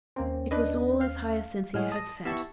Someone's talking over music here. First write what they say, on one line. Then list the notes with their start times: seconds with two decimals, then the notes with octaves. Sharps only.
It was all as Hyacinthia had said.
0.16 D#2 A#3 C4 C#4
0.51 D4 B4 D#5
1.01 F5
1.74 A2 G#3 G#4 C#5 F#5 F6
1.92 A5 D#6 A#6
2.25 B3 E4 G4 E5 A5 C#6